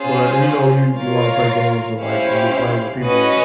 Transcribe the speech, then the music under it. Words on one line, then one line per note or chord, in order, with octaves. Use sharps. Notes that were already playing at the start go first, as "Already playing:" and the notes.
But you know, you you wanna play games or like, and you're playing with people
Already playing: C#4 F4 G#4 C5
F4 A#4 C#5 F5
C#4 E4 G4 C5 F5
C#4 F#4 B4 D#5